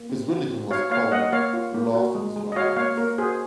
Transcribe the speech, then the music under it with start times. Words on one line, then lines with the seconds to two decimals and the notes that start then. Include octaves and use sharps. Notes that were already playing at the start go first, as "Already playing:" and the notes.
His religion was called Lost Israelites.
Already playing: A#3
0.10 C4
0.29 F#4
0.51 C4
0.71 F#4 C#5 F5
0.91 A#3 C#5 F5
1.12 A#3 D#5 F#5
1.32 A#3 C#5 F5
1.53 F4
1.74 A#3
1.95 F#4
2.15 G#3
2.36 G#3
2.52 D#5
2.56 F#4 C#5 F5
2.76 A#3 C#5 F5
2.97 A#3 A#4
3.18 F#4 G#4 C5